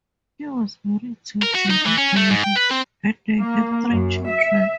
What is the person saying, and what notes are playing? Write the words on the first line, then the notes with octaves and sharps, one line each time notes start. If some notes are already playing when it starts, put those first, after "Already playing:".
He was married to Jennie Barry and they had three children.
A#4
F#4
D#4
E3
C#4
A3
G#2
G5
B4
C4
A#3
F#2
E5